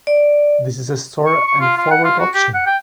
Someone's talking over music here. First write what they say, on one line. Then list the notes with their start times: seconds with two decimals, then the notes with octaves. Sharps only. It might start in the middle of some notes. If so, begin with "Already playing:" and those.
This is a store and forward option.
0.07 D5
1.26 C#6
1.47 C#6
1.61 F4
1.77 F4
1.91 F#5
2.04 F4
2.19 F#4
2.35 G4
2.54 F#5
2.66 G5